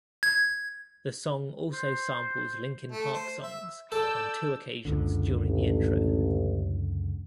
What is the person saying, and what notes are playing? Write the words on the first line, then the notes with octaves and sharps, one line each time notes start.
The song also samples Linkin Park songs on two occasions during the intro.
G#6
C5
A3
C5
E5
A4 D5 E6 G6
F#1 C#2 D3
A1